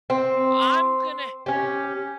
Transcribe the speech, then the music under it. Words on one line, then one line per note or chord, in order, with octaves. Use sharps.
I'm gonna
C4
C#4 G4